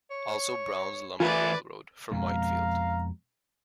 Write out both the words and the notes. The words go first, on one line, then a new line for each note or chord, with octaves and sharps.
Also Brown's lumber railroad, from Whitefield.
C#5
E3 A3 F4 B4 D5 E5 G#5
F2 B2 G#3 F5 A#5